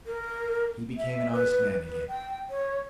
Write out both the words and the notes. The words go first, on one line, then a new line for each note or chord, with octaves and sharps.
"He became an honest man again!"
A#4
E5
B4
B4
G5
C#5